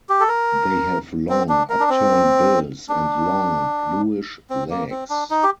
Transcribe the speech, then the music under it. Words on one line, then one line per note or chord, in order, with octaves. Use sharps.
They have long, upturned bills and long, bluish legs.
G4
A4
A#4
C4
D4
A#4
D4
C4
D4
C4
A#3
C4
D4
D#4
G4